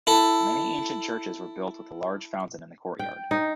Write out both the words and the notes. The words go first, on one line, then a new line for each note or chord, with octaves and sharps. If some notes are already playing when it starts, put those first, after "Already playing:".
Many ancient churches were built with a large fountain in the courtyard.
E4 A4
G5
D#4